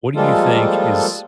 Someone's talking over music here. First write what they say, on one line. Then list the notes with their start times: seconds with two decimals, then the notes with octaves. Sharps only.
what do you think is
0.16 F3 G3 G#3 A#3 F4 A4